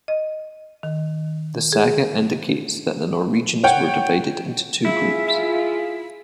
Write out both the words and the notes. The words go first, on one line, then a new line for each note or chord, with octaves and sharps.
The saga indicates that the Norwegians were divided into two groups.
D#5
D#3
G#4
C#5 F#5 G5
E4 F4 G#4 E5